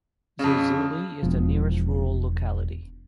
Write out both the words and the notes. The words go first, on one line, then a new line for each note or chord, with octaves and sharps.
Zozuli is the nearest rural locality.
F2 C#3
E1 F3